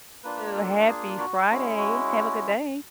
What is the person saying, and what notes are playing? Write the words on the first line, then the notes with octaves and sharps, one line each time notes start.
Happy Friday. Have a good day.
A#3 D4 F4 B4
A4
G#4
F#4
G#3 C#4 E4 F#4
F#4